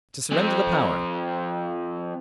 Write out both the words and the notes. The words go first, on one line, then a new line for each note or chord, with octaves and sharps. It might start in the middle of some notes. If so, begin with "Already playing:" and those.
To surrender the power.
F3 C4